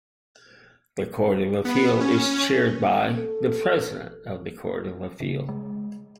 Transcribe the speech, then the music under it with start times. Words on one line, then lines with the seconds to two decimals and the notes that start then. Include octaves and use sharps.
The Court of Appeal is chaired by the President of the Court of Appeal.
1.65 B3
2.00 C#4
3.17 A4
5.20 C#3
5.49 G#3